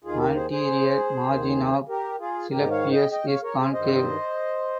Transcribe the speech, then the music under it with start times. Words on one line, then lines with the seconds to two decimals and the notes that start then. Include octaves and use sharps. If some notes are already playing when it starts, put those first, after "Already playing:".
Anterior margin of clypeus is concave.
0.04 D#2 D#3 F4 G#4
0.19 G4 A#4
0.35 G#4 C5
0.50 G#4 C5
1.27 D#2 D#3
1.89 G4 A#4
2.19 F4 G#4
2.50 G#2 D#3 G4 A#4
2.70 C#5 F5
2.91 D#5 G5
3.12 D#5 G5
3.27 C#5 F5
3.42 A#4 C#5
3.58 G#4 C5
3.73 G2 D#3 C5 D#5